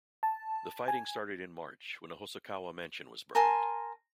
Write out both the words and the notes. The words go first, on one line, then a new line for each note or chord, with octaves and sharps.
The fighting started in March when a Hosokawa mansion was burned.
A5
G#5
A#4 G#5 A5 C6